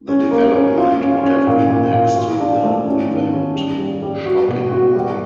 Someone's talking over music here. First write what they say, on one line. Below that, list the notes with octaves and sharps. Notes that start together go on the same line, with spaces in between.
The development would have been next to the revamped shopping mall.
C#4
A#3
C#4
F4
C#4
C#4
A#2
A#2
A#2
F4
D4
A3
C#4
D#3
C#4
G3
G3
G3
F#4
B2
F#4
G3